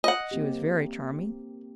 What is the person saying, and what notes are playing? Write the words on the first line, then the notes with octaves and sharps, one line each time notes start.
She was very charming.
D#5 F#5
A#3 C4 G4